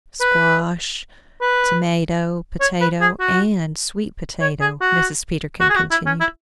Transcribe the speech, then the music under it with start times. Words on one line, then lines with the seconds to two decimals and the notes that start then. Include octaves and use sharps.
"Squash, tomato, potato, and sweet potato," Mrs. Peterkin continued.
0.21 B4
1.41 B4
2.61 C#5
2.81 B4
3.01 G#4
3.20 F#4
4.41 C#5
4.61 G#4
4.81 F#4
5.60 F#4
5.70 G#4
5.76 F#4
5.91 E4
6.06 C#4
6.20 E4